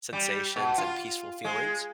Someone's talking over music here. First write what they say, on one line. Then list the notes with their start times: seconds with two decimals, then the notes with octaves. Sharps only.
sensations and peaceful feelings.
0.13 G3
0.56 B2
0.78 F4
1.45 G#3